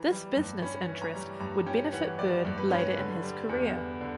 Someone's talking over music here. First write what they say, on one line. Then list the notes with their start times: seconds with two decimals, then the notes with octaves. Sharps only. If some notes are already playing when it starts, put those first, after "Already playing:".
This business interest would benefit Bird later in his career.
Already playing: E3 A#5
0.11 G3
0.36 G2
0.62 C#4 B5
0.88 E3
1.02 A#5
1.15 G3
1.40 G2 A#5
1.66 C#4 G5
1.93 E3 F#5
2.18 G3 D5
2.45 G2
2.58 B4
2.69 C#4 C#5
2.79 B4
2.97 D3
3.22 G3
3.49 E2
3.75 B3
4.01 D3